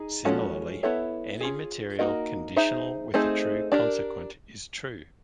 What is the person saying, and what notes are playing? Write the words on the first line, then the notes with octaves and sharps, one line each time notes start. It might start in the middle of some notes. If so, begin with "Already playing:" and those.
Similarly, any material conditional with a true consequent is true.
Already playing: D#4 G#4
F3 G#3 C#4 F#4 A4
B3 E4 A4 C#5 E5
C#4 F4 G#4
A#3 D#4 F#4 A#4 D#5
D#4 G#4 C5 E5
A3 C4 D#4 G#4 C5
D4 G4 A#4